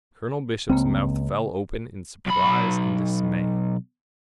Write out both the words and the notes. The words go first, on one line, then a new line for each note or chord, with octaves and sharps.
Colonel Bishop's mouth fell open in surprise and dismay.
C#2 C#3 A#3 C4
B1 B5